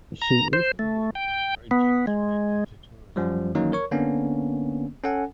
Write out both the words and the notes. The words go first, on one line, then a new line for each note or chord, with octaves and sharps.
She also worked on projects related to tourism and the Port.
A#5
C5
A3
G5
B3
G#3
F#2 F3 G3
D#3 E3 F#3 A#3 C#4 D#4
A#4 C#5 C#6
D3 A#3 B3 C#4 D4
C#4 A4 F#5 G#5